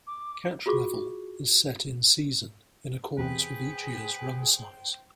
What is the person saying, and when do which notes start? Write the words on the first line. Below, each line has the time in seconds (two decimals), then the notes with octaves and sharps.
Catch level is set in-season in accordance with each year's run size.
0.07 D6
0.66 F4 F#4 G#4 C#6 D6
3.18 E2 C3 G#4 B4 C5 G5